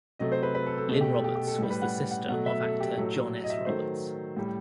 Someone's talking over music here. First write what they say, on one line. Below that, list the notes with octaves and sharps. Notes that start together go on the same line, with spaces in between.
Lynne Roberts was the sister of actor John S. Roberts.
C3 F#3 A3 D#5
C5
B4
B4
A4
A4
B2 A3 A4
G4
A4
G4
G4
A4
A2 G3
B4
F#5
F#5
B2 F#3 A3 F#5
E5
A4
G4
A2 F#3 A3 A4
D#5
E5
D#3 F#3 A3 C5
A2 G3